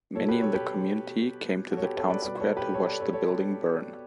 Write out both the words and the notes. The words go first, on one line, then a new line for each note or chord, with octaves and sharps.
Many in the community came to the town square to watch the building burn.
B2 F#3 A4 C#5
G4 B4
A4 C#5
G4 B4
F#4 A4
C#5
G4 B4
A4 C#5
B4 D5
B2 G3 B4 D5
A4 C#5
G4 B4
A4 C#5
B4 D5
A4 C#5
A4 C#5